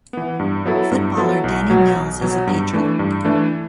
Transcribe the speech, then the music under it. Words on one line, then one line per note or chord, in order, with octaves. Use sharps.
Footballer Danny Mills is a patron.
E3 B3
G2
F#3 B3 E4 A4
G2
F#3 B3 E4 A4
B1
B2 F#3 B3
B1
B2 F#3 B3
G2
E3 A3 D4
G2
E3 A3 D4